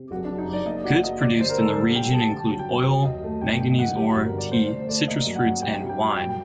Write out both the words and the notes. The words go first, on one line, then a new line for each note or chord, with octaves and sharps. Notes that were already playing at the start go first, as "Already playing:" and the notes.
Goods produced in the region include oil, manganese ore, tea, citrus fruits, and wine.
Already playing: C3
F#1 F#4
D4
F#3
D#4
F#1 D5
A#3 D#5
F#3 F#5
A#3 D#5
D3 D5
G2 C5
A#4
D3 A4
G2 A4
G3 G5
G3 A5
D3 A5
F#3
G5
F#2
F#3
D#2 D#5
A3
G1 G5
D3 G5
D#5
F#2 F#5
G2 G4
F#4
G1
A#4
D3 D5
A3 C5
D3 C5
A3 D5
A#3 D#5
F#2
F#5
F#2
C2 G5
G3
G5
G3
F#2 G5
G5